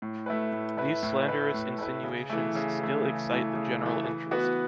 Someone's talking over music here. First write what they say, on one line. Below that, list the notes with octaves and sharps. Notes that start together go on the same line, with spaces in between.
These slanderous insinuations still excite the general interest.
A2
A3 E4 B4
A2
A3 E4 B4
A2
A3 E4 B4
A2
A3 E4 B4
C#3
E3 A3
C#3
E3 A3
C#3
E3 A3
C#3
E3 A3
E3
B3 F#4 B4